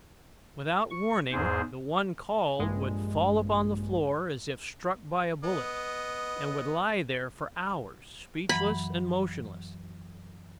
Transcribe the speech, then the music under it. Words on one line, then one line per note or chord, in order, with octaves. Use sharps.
Without warning the one called would fall upon the floor as if struck by a bullet, and would lie there for hours, speechless and motionless.
C#6
E2 G#2 G#4 C5
A#1 G2 G#3
B3 D#5
F#2 E3 F#3 B5